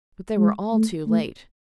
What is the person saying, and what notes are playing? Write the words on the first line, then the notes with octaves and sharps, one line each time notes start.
But they were all too late.
G#3
A3
A3